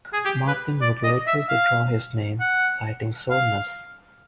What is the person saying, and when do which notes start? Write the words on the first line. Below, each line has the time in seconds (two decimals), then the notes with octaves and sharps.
Martin would later withdraw his name, citing soreness.
0.13 G#4
0.25 G4
0.48 B4
0.81 D5
1.03 D#5
1.27 E5
1.49 F5
2.40 F#5
3.30 F5